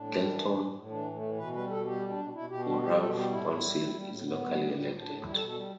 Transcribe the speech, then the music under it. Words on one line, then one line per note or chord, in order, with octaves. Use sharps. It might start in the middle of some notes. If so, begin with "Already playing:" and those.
Galeton Borough Council is locally elected.
Already playing: A2 D4
G3
E3
A2
A2
A2
E3 D4
A2
A3
E3
B2 B4
G3 B4
B2 A4
G3 G4
B2
D4
B2
B2 E4
B2 G4
G3 D4
G3 G4
G4
B2 A4
G3 G4
A2 E4
A2
G3
G3
G3
A2
A2 B3
G3
G3
A2 G3
A2
D4
A2
G3 E4
A4
B2
A4
G3